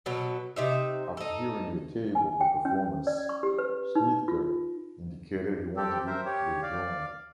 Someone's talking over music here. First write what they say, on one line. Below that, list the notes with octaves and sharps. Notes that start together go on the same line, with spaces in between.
After hearing a tape of the performance, Schnittke indicated he wanted it withdrawn.
B2 F#3 A4
C3 D#4 E5
D#4 A4
G#5
G5
C#4
D5
C#6
G4
B4
D#4
F4
C4 G4 A4
A#4 C5 E5
G4 C#5
D5 F5